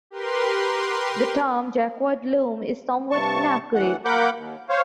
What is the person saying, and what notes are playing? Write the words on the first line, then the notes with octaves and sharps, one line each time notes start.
The term "Jacquard loom" is somewhat inaccurate.
G4 A#4 B4 C6
G2 C3 A5 C#6
D2 E3 F#5
A#3 A#4 F#5 B5 D6 G6
D#2
C5 C#5 F5